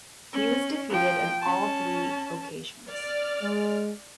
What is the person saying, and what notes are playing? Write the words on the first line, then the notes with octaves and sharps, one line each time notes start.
He was defeated on all three occasions.
C#4
F3 G5
C#4 A5
D5 F6
G#3